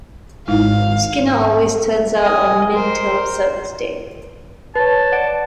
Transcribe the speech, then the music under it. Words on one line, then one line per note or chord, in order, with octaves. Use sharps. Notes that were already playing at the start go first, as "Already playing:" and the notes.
Skinner always turns out on Mid-Term Service Day.
G#1 G#3 D#4 E4 F5
D#5 G#5
A#4 C5
B4 C#5 A5
D5 F#5 D7